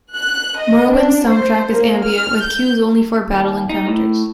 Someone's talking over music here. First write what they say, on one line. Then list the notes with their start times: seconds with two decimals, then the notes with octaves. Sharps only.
"Morrowind"s soundtrack is ambient, with cues only for battle encounters.
0.16 F#6
0.60 D#5
0.92 D4
1.29 C5
1.71 A#3
2.08 F6
2.44 G6
3.32 D#2
3.69 D#4
3.87 A2